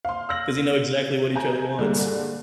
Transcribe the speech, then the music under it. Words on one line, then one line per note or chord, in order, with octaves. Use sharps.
'cause you know exactly what each other wants.
F5 C6
E6 F6 A#6 F#7
G#5 A#5 G6
G2 A#2 D3 G#3